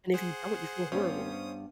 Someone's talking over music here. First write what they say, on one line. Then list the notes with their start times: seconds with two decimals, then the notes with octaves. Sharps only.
And if you don't, you feel horrible.
0.14 G#4 C5 F#5
0.92 G2 G3 B3 C#4 C5 C#5 D#6